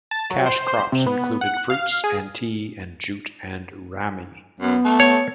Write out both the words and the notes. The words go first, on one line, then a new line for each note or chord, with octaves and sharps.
Cash crops included fruits and tea and jute and ramie.
A5
F#3
C5
C5
C3
B3
F#5
F5
G#4
F#2 B3
A3
C#5